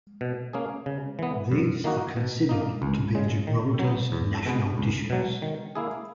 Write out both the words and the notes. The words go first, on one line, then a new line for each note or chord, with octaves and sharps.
These are considered to be Gibraltar's national dishes.
B2
A#3 C#4 G#4
C#3
E3 B3
F#2
D#3 A#3 D#4 F#4
B2
A#3 D#4
C#2
C#3 G#3
D#3
F#3 B3
E2
B2 G#3 B3
C#2
B2 F#3
D#3
A#3 E4 G#4